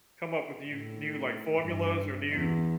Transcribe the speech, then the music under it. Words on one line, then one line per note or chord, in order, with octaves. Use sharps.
come up with you new like formulas or new
A2
G2
E2